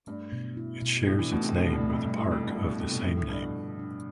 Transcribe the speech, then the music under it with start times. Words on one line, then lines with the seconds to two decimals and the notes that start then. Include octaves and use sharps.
It shares its name with a park of the same name.
0.07 G2 A3
0.32 B2
0.57 E4
0.82 B2
1.06 A2 D4
1.19 E3
1.32 B2 A3
1.43 C3
1.56 B2 A4
1.66 A2
1.73 G2
1.81 A3
1.90 F2
2.05 G2 G3
2.18 A2
2.31 F2 C3
2.43 G2
2.50 B2
2.55 A2 D4
2.68 B2
2.80 C3 A4
2.92 B2
3.04 A2 F3
3.17 A2
3.29 G2 D3
3.42 B2
3.54 B3
3.79 D4